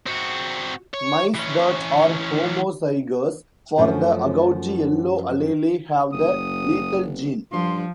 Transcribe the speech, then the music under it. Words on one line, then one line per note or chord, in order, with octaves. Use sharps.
Mice that are homozygous for the agouti yellow allele have the lethal gene.
C4 F#4
C#5
E3 C#4
F#2 F3 A3 B3 C#4
F#1 D#6
G2 F3 C6